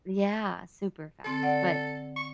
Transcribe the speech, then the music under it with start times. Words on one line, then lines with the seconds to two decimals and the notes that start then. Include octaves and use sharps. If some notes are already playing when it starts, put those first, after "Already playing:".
Yeah, super fast. But,
1.25 D3 C4 A4
1.43 D5 F#5
2.17 C#6